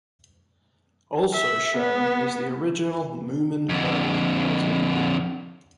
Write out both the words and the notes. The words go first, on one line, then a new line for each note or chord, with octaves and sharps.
Also shown is the original Moomin Valley multimedia.
E5
B3
F2 D3